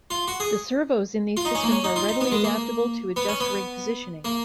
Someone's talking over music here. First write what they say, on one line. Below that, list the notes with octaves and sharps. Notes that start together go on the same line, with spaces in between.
The servos in these systems are readily adaptable to adjust rig positioning.
F4
F#4
G#4
F4
D#4
C#4
A#3
C#4
D#4
F4
D#4
B3
G#3
A#3
B3
C#4
B3
A#3